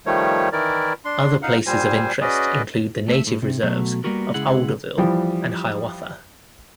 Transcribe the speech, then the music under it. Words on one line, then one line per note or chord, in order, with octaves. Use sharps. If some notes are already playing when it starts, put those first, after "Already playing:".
Other places of interest include the Native Reserves of Alderville and Hiawatha.
D#3 F3 G3 A3 C#5
D#3 E3 E4 A#4 D5
D4 C6
D#4 F5 F#5
A#2 G3 C5 G#5
C#4 F#4 G#4 B4 D5 D#5
A3 E5
A2
C3
B2 F#3 A3
G3 A#3 B3 F#4 A#4
C#3 G#3 E4 G#4 F#5
E3 F3 G3